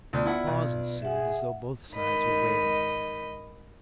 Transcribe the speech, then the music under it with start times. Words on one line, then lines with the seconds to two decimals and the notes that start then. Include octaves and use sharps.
A pause ensued, as though both sides were waiting.
0.13 D2 B3 F4 D5
0.26 E4 B4 F#5
0.47 B1
1.02 G#4 E5 F#5
1.95 G#2 D#3 D#5 B5